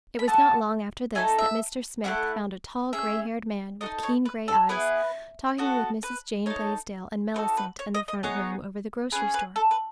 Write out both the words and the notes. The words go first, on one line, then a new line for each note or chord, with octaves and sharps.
It was not long after this that Mr. Smith found a tall, gray-haired man, with keen gray eyes, talking with Mrs. Jane Blaisdell and Mellicent in the front room over the grocery store.
B5
B3 F#4 A4 A5
A3 D#4 A4 G#5
E5
A3 C#4 E4 F#5
C#4 G#4 E5
F#4 A4 D#5
D#4
C#5
B4
A4
B3 E4 G#4 B4
B3 F#4 A4
B4
D#4 A4 C#5
D#4 F#4 A4 B4
B4
C#5
D#5
D#5
B3 D#4 G#4 C#5
C#4 G#4 B4
B4
A4
B4